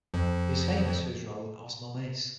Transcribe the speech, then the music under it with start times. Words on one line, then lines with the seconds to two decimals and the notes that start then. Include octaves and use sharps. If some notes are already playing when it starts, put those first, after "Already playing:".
He is famous for his role in Os Normais.
0.14 F2 F3